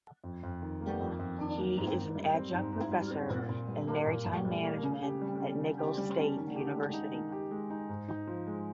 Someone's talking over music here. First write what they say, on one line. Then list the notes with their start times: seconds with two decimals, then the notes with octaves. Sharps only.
He is an adjunct professor in maritime management at Nicholls State University.
0.24 F2
0.43 F2
0.62 D#3
0.81 A#3
1.00 F2
1.19 F2
1.39 D#3
1.58 A#3
1.77 G#2
1.96 G#2
2.15 G3
2.34 C4
2.54 G#2
2.73 G#2
2.92 G3
3.11 C4
3.30 A#2
3.49 A#2
3.68 G3
3.87 A#3
4.07 A#2
4.26 A#2
4.45 G3
4.64 A#3
4.83 C#3
5.03 G4
5.22 G3
5.40 C#4
5.60 C#3
5.79 G4
5.98 G3
6.17 C#4
6.37 D#3
6.56 G4
6.75 G#3
6.93 D#4
7.13 D#3
7.32 G4
7.51 G#3
7.70 D#4
7.89 G#2
8.08 D#4
8.27 F3
8.47 G#3